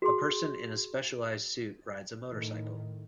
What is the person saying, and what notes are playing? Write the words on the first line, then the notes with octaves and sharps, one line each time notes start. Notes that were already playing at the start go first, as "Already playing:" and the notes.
A person in a specialized suit rides a motorcycle.
F#4 G#4 C6
A2 D#3